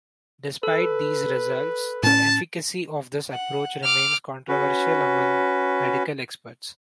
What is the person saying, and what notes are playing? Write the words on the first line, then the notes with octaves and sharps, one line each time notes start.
Despite these results, the efficacy of this approach remains controversial among medical experts.
A4 B4
A2 C#4 A5
F#5
D6 F6
C#4 F#4 B4